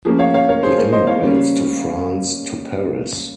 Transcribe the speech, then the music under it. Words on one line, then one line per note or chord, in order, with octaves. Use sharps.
He emigrates to France, to Paris.
F3 A#3 C#4 G#4
C#5 F5
C#5 F5
A#4 C#5
G#4 C5
A#4 C#5
C5 D#5
C#5 F5
C#3 G3 A#3 C#4